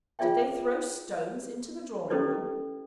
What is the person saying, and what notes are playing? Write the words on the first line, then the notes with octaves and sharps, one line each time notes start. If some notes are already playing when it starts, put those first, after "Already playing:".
Did they throw stones into the drawing-room?'
F4 G#4 D5 E5 G5
C#4 E4 G4 A4 B4 D5